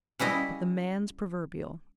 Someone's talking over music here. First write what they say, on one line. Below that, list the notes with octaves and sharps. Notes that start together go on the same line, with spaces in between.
But the man's proverbial.
C#3 G3 E4 D#5